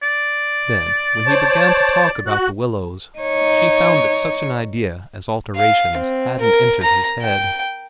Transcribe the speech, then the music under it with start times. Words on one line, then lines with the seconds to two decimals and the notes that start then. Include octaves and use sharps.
Then, when he began to talk about The Willows, she found that such an idea as alterations hadn't entered his head.
0.03 D5
1.26 C5 C#5 A5
2.27 F#4 F#6
3.18 D#4 C#5
5.56 F5
5.97 C4
6.41 A#4
6.83 A#5
7.22 G5